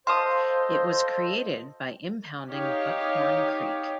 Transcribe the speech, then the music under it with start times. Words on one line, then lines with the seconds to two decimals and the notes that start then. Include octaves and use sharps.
It was created by impounding Buckhorn Creek.
0.07 F4 A4 C5 D#5 F5 A5 C6 D#6
2.51 D#4 G4 C#5 D#5 F5